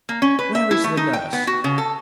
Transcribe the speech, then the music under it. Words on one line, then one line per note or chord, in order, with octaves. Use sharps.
'Where is the nurse?
A#3
C#4
B4
E5
E4
A3
D#4
G5
B3
F#4
C#3
A4